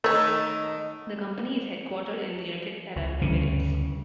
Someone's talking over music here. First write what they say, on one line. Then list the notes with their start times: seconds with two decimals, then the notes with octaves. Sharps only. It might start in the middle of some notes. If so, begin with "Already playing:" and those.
The company is headquartered in the United Arab Emirates.
0.04 D#3 A3 B3 D#4 A#4 C#5
2.96 C#2
3.22 D2 G2 C#3